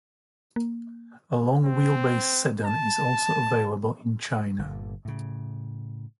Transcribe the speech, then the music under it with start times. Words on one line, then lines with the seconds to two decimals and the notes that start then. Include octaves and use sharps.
A long wheelbase sedan is also available in China.
0.56 A#3
1.65 C4
2.65 A5
4.59 G1 A#2 D3
5.05 A2 C#3